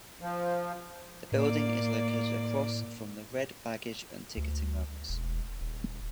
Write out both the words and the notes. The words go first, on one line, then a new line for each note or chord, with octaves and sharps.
The building is located across from the Red Baggage and Ticketing levels.
F3
A2 A#3 D5
D2
E1
D#1